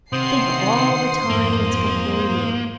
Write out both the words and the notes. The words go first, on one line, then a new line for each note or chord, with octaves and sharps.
Think of all the time that's before you.'
C3 D#3 C5 F#5 C6 D#6 C7
F2 G#2 A#3